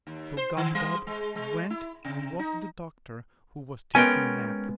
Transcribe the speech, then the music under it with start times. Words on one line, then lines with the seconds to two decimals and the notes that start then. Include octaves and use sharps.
So Gub-Gub went and woke the Doctor who was taking a nap.
0.07 D#2
0.37 C5
0.57 D#3
0.75 G3
1.07 G#3
1.36 G#3
1.70 E4
2.05 C3
2.39 D#4
3.95 G#3 B3 C#4 A#4 G5 G#5